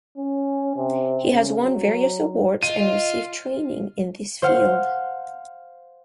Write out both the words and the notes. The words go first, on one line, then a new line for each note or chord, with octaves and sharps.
He has won various awards and received training in this field.
C#4
C3
C#3
F#3
F4 D#5 D#7
C5 F5 F#5 F6